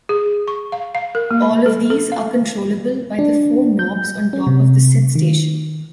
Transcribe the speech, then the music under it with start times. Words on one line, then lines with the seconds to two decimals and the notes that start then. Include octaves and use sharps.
All of these are controllable by the four knobs on top of the SidStation.
0.09 G#4
0.48 C#6
0.72 F5
0.95 F5
1.15 A#4
1.31 A#3
1.42 B5
1.66 A4
1.90 A4
2.12 F5
3.19 D4
3.79 G6
4.33 C#4
4.47 C3
5.15 D#3